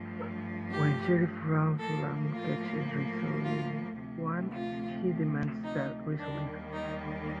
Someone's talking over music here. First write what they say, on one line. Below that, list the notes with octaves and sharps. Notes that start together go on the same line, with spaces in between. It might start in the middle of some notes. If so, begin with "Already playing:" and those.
When Sheriff Ralph Lamb catches Rizzo in one, he demands that Rizzo leave.
Already playing: G2 F3 A3
G4
A2 F3 A#3 A4
F4
F4
D2 C3 F3 A3
F4
D#4
D#2 D#3 G3 A#3 D4
D#4